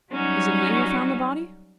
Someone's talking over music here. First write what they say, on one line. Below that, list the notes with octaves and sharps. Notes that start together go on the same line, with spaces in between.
'Is it he who found the body?'
F#3 G3 C#4 D#4 F#4